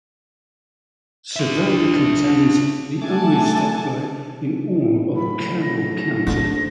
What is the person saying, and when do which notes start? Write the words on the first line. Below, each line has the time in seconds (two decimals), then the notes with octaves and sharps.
Savanna contains the only stoplight in all of Carroll County.
1.36 D4 E5
3.02 A3 A4 F#5 G#5 A5 D6
5.16 C#3 F#3 A3 B5
5.62 A#6
6.27 D4 D#4 A#6
6.56 A3 C5